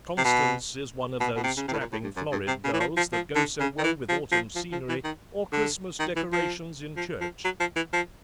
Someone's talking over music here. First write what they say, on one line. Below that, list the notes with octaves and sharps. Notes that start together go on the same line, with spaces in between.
Constance is one of those strapping florid girls that go so well with autumn scenery or Christmas decorations in church.
C3
B2
B2
B2
C3
C#3
C3
A2
A#2
A2
G2
F#2
G2
C3
C#3
E3
F3
F3
F3
D3
C#3
D#3
E3
F3
F3
F3
F3
E3
D#3
D3
D#3
E3
F3
F3
F3
F#3
F3
E3
F3